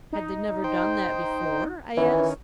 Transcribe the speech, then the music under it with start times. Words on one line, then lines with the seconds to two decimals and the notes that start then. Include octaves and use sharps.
"Had they never done that before?" I asked.
0.13 D#4
0.64 C5 G5
1.97 D#3 E3 C#4